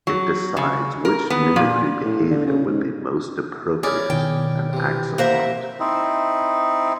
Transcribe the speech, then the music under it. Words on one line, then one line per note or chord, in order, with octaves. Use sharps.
It decides which mimicry behavior would be most appropriate and acts upon it.
F#3
C#3
A#4
B3
A#2
A2
D3
C#3
G#2
C#4 E4 G#4 A#4 D5
B2 D#3 G5
C3 E3
A#3 C5 E5 F#5 A#5
C4 D#4 E4